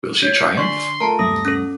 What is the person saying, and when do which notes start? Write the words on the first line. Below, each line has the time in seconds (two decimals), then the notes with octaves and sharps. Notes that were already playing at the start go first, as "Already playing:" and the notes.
Will she triumph?
0.22 C#5 G6 G#6
0.57 D3 D5 G#5 C6 C#6 B6
1.00 A3 F4 A4 A#4 A5 A#5
1.19 G1 D#2 C3 A3 A4 D#6 A#6
1.45 C#4 A4